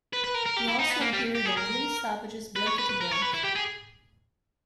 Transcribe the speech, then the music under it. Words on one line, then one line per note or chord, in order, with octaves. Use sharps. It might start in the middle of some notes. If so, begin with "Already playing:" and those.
He also appeared on Lily Savage's Blankety Blank.
B4
B4
A#4
A#4
G4
E4
D#4
B3
A#3
G3
G4
G#4
A#4
B4
C#5
B4
B4
A#4
C#5
B4
E4
G4
G#4